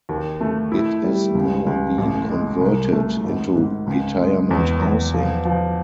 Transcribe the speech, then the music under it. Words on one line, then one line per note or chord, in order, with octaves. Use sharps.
It is now being converted into retirement housing.
D#2
A3
E4
G3
C#2
C#2
A1
G#3
C2
A3
G#1
G#2
C#2
G#3
E2
E2
F3
F3